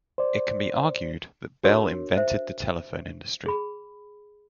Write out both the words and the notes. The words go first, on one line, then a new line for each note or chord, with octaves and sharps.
It can be argued that Bell invented the telephone industry.
C5 D5
D4 F#4 A#4 C#5 D6
C5 E5
G#4 B5